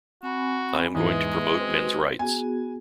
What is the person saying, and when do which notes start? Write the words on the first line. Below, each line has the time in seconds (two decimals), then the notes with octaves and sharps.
I am going to promote men's rights.
0.23 C4 F#4 G#5 B5
0.94 E2 G#2 G#3 B4 E5 D#6
1.59 C4 F#4 B4
2.19 B3 F#4 G#4 G#5